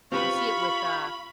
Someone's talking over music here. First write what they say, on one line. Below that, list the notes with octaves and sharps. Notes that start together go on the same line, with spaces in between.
You see it with uh,
C4 F4 G4 B4 B5 C#6